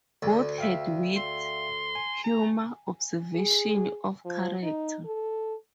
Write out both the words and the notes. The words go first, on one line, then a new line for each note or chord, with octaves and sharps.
Both had wit, humour, observation of character.
D2 D5
E5 F5 G5
C6
G#5
A#5
G#4
F3
D#4
A4